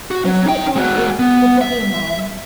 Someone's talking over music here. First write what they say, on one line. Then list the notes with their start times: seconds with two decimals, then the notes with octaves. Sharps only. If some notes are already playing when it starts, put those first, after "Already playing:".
His nickname is the "Boogie-man".
0.11 F#4
0.25 F#3
0.46 D#4 G5
0.76 G#3 F#4
1.19 B3
1.61 E5